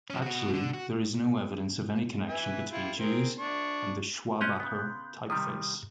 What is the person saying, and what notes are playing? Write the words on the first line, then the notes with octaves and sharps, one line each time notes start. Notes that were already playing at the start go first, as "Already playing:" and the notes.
Actually, there is no evidence of any connection between Jews and the Schwabacher typeface.
F3 C#4
B2 F#4
D3
F#4
B4 E5 G#5
E4 F4 G4
C4 G#4 A#4
D4 C#6
C#4 D#5 A#5 C6 F#6 G6
C#3 B3
C3 D#3 G3 D#6